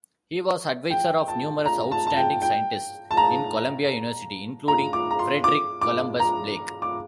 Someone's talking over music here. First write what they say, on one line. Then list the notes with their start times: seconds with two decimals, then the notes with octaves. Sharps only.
He was adviser of numerous outstanding scientists in Columbia University including Frederic Columbus Blake.
0.90 G5
1.28 A5
1.66 A#5
1.92 A5
2.07 A5
2.16 G5
2.42 G5
3.11 A5
3.17 A#5
4.68 A#5
4.93 D6
5.11 A#5
5.19 C6
5.44 D6
5.81 D6
6.20 A#5
6.82 D6